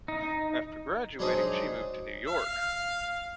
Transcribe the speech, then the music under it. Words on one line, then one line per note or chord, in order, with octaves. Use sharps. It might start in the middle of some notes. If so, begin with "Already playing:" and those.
After graduating, she moved to New York.
D#4
F#3 G#3 D4 D#4 C5 D#5
F5 F6